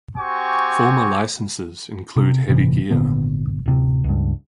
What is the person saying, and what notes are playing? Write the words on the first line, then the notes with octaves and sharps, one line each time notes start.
Former licences include Heavy Gear.
C4 F#4 G4 G#5 C#6
C3
G1 A2 C3 E3
G#1 A#2 D3 B3
D1 C3
C#2 G2